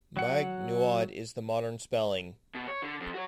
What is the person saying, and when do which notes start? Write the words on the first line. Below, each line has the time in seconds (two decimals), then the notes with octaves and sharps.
"Maigh Nuad" is the modern spelling.
0.17 F#3 F#5
2.55 B2
2.68 C#5
2.82 D3
3.00 F2
3.14 F#4 C#5